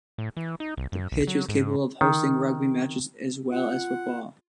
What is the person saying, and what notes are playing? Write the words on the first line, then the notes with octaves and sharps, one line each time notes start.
The pitch is capable of hosting rugby matches as well as football.
A2
E3
D#4
C2
F#2
B1
F#3
G#2
D#3
F4 F#5